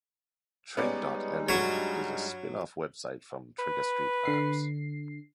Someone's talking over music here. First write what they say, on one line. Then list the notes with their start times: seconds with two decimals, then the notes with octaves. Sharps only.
Trigg.la is a spin-off website from Trigger Street Labs.
0.77 G3 G#3 B3 C#4 D#4 D5
1.49 G2 F#3 C#5
3.59 B4
4.25 D3 C7